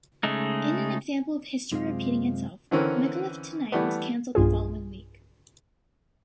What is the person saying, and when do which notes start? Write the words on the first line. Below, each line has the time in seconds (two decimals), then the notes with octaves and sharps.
In an example of history repeating itself, Micallef Tonight was cancelled the following week.
0.23 C#3 G#3 A3 D#4
1.71 F#2 C3 G#3 C4 F4 F5
2.71 D3 E3 C4 C#4 A#4
3.72 E3 G3 A3 B3
4.35 B1 G2 F4 G#4